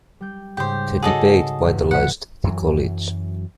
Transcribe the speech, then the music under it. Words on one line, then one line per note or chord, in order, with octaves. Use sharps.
The debate vitalized the college.
G3 G6
G#2 C#3 G4 C5
F#4 G#4 A4 C#5 D#5 F#5
A1 E2 G2
C3 E3 F#5 B6
F#2 E3 F#3